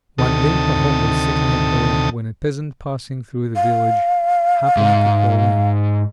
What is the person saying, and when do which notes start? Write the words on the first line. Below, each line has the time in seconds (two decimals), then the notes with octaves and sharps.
One day Pahom was sitting at home, when a peasant passing through the village, happened to call in.
0.18 D2 C3 D#3 A4 D#6
3.56 F5
4.77 G#2